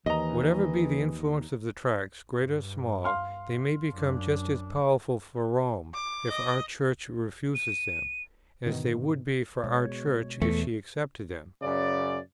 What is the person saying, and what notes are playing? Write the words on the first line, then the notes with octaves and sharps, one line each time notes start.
Whatever be the influence of the Tracts, great or small, they may become just as powerful for Rome, if our Church refuses them, as they would be for our Church if she accepted them.
D#2 E3 D#5 A#5
G2
F5 C6 F6
F#2 D4
D6
D#5
D#7
G#2 B2 D3 D#3
B2 G#3 C#5
E2 A3
F#2 C#3 D5